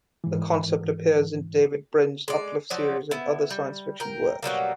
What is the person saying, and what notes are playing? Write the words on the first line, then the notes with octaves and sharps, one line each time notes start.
The concept appears in David Brin's Uplift series and other science fiction works.
G#2 E3
G#3 D5
F3 F#3 D5
B3 E4
G3
A#4 G5
B2 F#3 G3 A#3